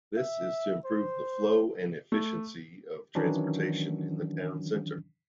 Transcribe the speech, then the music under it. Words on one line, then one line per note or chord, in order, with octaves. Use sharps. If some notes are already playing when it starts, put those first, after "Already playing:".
This is to improve the flow and efficiency of transportation in the town centre.
E5
C5
A3
D#3 E3 F#3 C#4 D4